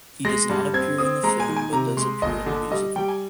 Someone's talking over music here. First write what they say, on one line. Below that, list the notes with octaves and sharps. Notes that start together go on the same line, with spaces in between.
He does not appear in the film but does appear in the musical.
G#3 A#6
G2
C4 G#6
C4 D#6
G#3 A#5
G#5
D#3
G#5
C3 A#5
G#3 C6
G1 D#5
D3
G3 D#5
G3 G5
G#5